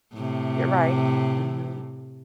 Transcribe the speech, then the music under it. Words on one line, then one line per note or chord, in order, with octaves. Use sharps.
You're right. Mhm.
A2 C3